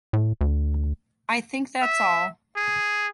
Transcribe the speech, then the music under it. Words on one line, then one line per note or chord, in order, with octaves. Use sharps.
I think that’s all.
A2
D2
E5
G#4